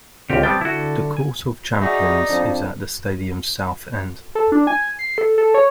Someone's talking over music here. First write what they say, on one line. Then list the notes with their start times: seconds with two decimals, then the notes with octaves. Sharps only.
The Court of Champions is at the stadium's south end.
0.30 C#2 D3 C4 F4 G4
0.43 G3 B3 C4 G5 A5
0.61 D3 E4 F#4 A4
1.17 G#5
1.81 D#4 F#4 G#4 D5 E5
2.29 F2 D4
4.35 A4
4.52 D4
4.67 G#5
4.99 C7
5.18 A4
5.38 A4
5.54 C#5